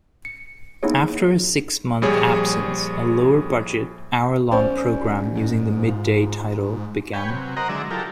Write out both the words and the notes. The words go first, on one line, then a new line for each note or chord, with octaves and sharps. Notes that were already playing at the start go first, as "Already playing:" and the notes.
After a six-month absence, a lower-budget hour-long program using the "Midday" title began.
C#7
A#3 B3 D#4 E4 G#4 C#5
A#1 G3 G#4 C#5
B1 C#4 C5 D5
G#2
F4
B4 C#5 G5 G#5
C3 F#3
A#4 C5 D#5 F#5 A#5
D3 F#3 G#3 D5 E5
F#3 E4 F4 G4 A4 A#4